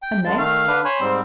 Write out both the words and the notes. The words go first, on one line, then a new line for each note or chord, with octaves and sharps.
"And next?"
G5
F#2 G#3 A5
D#3 A3 F5
D3 D4 B4
C5 C#5 G#5 B5
G#2 G3 C4